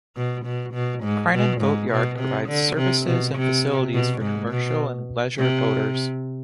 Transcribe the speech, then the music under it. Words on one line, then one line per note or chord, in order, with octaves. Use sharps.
Crinan Boatyard provides services and facilities for commercial and leisure boaters.
B2
B2
B2
G#2
B2
G#2
B2
C3
D3
C3
B2
C3
B2
G#2
B2
C3